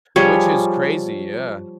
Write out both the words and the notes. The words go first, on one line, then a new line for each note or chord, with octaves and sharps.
Which is crazy. Yeah.
F3 G3 G#4 C#5